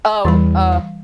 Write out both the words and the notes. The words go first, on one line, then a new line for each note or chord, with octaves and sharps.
Oh, uh,
E2 E3 G3 B5
F5